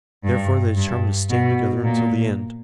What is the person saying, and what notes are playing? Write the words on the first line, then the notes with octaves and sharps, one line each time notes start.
Therefore, they determined to stand together until the end.
G2
G2
B2
A#2